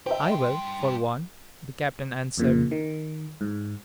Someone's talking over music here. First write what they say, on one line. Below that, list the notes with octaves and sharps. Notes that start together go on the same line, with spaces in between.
"I will, for one," the Captain answered.
G2 C5 D#5 E5 G5
C6
F2 A#2 C#3
D#3
G#2